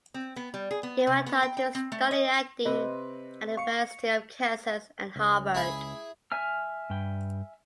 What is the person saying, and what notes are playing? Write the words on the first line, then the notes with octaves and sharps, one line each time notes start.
He went on to studying acting at the University of Kansas and Harvard.
C4
B3
G3
G#4
B3
C3
B3
G5
G5
C4
A3
D#5
C3 C4 B4 D#5
F5 C#6 C#7
C#2
E4 G#4
E5 G#5 F6
G2 G5